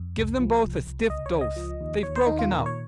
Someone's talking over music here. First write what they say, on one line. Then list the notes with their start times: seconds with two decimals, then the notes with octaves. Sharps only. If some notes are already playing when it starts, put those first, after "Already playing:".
Give them both a stiff dose: they've broken up.
Already playing: F2
0.17 C2
0.39 F3
0.64 C2
0.87 C2
1.10 C#2 D#5
1.26 C#5
1.34 C#2
1.41 D#5
1.56 F3
1.81 D#2
2.03 D#2 C#5
2.16 C5
2.26 D#3 D#4
2.39 F4
2.51 A#2 A#4
2.66 C#5